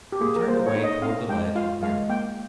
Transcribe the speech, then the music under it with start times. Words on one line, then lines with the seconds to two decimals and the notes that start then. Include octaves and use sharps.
He turned away toward the ledge and clearing.
0.12 G4
0.21 A#3 G#4
0.36 A#4
0.48 A#3 C5
0.66 C#5
0.75 D#4
0.84 D#5
1.02 C4 F5
1.29 G#3 G5
1.55 F4 F5
1.83 G#3 F5
2.09 A#3 G5